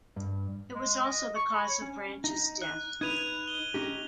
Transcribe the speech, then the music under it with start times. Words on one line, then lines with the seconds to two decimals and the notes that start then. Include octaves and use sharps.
It was also the cause of Branch's death.
0.16 G2
0.75 G#3
1.05 D#5
1.35 C#6
1.54 B5
1.69 C#5
1.81 C#4
2.24 D#4
2.62 F#6
3.01 D#4 B4 G#6 D#7 F7
3.48 G7
3.74 C#4 D#4 G4